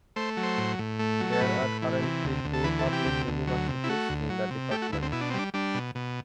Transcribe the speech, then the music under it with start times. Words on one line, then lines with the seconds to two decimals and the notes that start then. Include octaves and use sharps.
There are currently two public universities in the department.
0.16 A3 C5
0.37 F#3
0.43 C5
0.58 A2
0.79 A2
0.99 A3
1.20 F#3
1.33 A4
1.40 A2 B4
1.62 A2
1.82 E3
2.02 C3
2.24 D2
2.44 D2
2.53 A4
2.64 E3 B4
2.79 A4
2.85 C3
2.93 G4
3.05 D2
3.27 D2
3.47 F#3
3.68 C3
3.84 E4
3.89 A3 F#4
4.09 D2
4.30 F#3
4.51 C3
4.71 A3 G4
4.82 F#4
4.92 D2 E4
5.02 C4
5.12 B2 E4
5.21 D4
5.30 C4
5.34 G3
5.39 D4
5.54 G3 D4
5.75 B2
5.95 B2